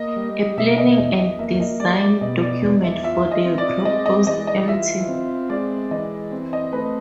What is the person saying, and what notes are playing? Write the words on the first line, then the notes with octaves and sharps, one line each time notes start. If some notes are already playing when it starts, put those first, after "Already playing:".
A planning and design document for the proposed Mt.
Already playing: A#3 D#5
G3
B2 E5
D#5
E2 D#5
D#5
A#3 E5
D#5
G3 D5
D5
B2 D#5
D5
E2 D5
E5
F4 E5
D#5
C4
D5
G#3 D#5
D#5
E3 D#5
D#5
F4 E5
C4
G#3 D5
E3 D#5
C4
D#5
A3 B4